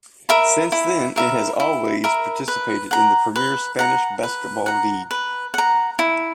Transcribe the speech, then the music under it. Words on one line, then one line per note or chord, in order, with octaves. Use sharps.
Since then, it has always participated in the premier Spanish basketball league.
A#4 E5 B5
E4
A#4 E5 B5
E4
A#4 E5 B5
B4
F#5 A#5
B4
F#5 A#5
B4
F#5 A#5
B4
F#5 A#5
E4